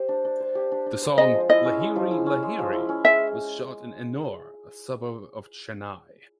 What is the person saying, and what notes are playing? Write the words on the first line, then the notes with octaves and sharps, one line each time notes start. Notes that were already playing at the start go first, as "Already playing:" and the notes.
The song "Lahiri Lahiri" was shot in Ennore, a suburb of Chennai.
Already playing: G4 C5
D4
D4
C5
G4
D4
D4
C5
G#3 D#5
F3
E4 D#5
C#4
G#3
F3
E4
C#4
G#3
F3
E4
C#4
G#3 E5